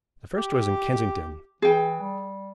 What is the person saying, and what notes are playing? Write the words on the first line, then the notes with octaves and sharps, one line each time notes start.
The first was in Kensington.
G4
E3 G#4 G5
G3